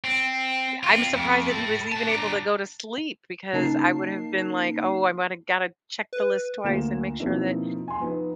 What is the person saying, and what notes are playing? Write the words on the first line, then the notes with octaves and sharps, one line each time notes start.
I'm surprised that he was even able to go to sleep, because I would have been like, "Oh, I might've gotta check the list twice, and make sure that
C4
C4 F4
F2
A4 B5
B4 A5
D4 A#5
C#3 A#3 D#4 A#4 A5 C7
B4
D2 A#3 F4 E7
B2 F3 A#3 C4 D#4 E4
G#5 C6
F3 B3 D#4